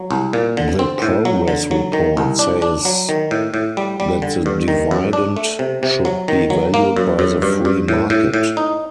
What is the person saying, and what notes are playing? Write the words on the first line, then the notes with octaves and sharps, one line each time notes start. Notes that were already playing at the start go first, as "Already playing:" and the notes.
"The Progress Report" says that the dividend should be valued by the free market.
Already playing: F#3
C2
A#2
D3
C4
A2
F#3
D3
F#3
D#3
C2
D4
D4
F#3
D#3
A2
A2
G3
G3
D3
G2
D#3
F#2
D4
A3
C3
C3
F#3
D#3
F#3
A#3
F#2
F#2
G2
G2
A2
A2
A2
D#4